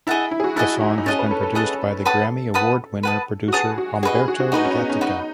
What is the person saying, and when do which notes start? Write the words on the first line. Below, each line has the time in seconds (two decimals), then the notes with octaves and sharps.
The song has been produced by the Grammy Award Winner producer Humberto Gatica.
0.07 E4 G#4 D#5 F#5 A5
0.31 E4
0.40 G#4
0.44 F#4
0.56 E4 G#4 D#5 F#5 A5
0.81 D#4
0.98 D#4
1.06 C#4 G#4 D#5 F#5 A5
1.19 B4
1.31 A4
1.43 A4
1.55 G#4 A4 D#5 F#5 A5
2.05 B4 F#5 A5 D#6
2.54 B4 F#5 A5 D#6
3.03 B4 F#5 A5 D#6
3.48 F#4
3.53 G#4 B4 F#5 A5 D#6
3.78 F#4
4.03 F#4 G#4 B4 D#5
4.15 G#4
4.28 F#4
4.40 F#4
4.52 D#4 F#4 B4 D#5
4.65 C#4
4.77 B3
4.90 C#4
5.01 D#4 F#4 B4 D#5